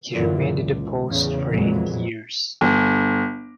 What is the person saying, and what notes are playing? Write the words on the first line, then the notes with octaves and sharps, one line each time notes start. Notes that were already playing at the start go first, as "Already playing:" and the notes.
He remained in the post for eight years.
F#2 A#2 D3 E3
C#2
E2 A2 C#3
B1 F2 A#2 E3 F#3 G#3
G1